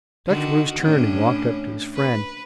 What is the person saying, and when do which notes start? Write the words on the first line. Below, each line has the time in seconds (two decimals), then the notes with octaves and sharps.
Dr. Bruce turned and walked up to his friend.
0.26 D3 D#3 F#4
0.82 A2 C#4 D4
1.96 B4